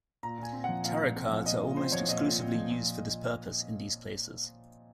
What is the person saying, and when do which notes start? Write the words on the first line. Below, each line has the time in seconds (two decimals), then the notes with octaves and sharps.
Tarot cards are almost exclusively used for this purpose in these places.
0.23 A#2 A#5
0.39 A#2 G#5
0.53 C4
0.64 F3 F#5
0.84 A#2 F5
1.00 A#2
1.16 C4
1.31 F3
1.46 A#2 D#5
1.62 A#2
1.77 C4 C5
1.92 F3 C#5
2.09 A#2 D#5
2.24 A#2
2.39 C4
2.54 F3
2.69 A#2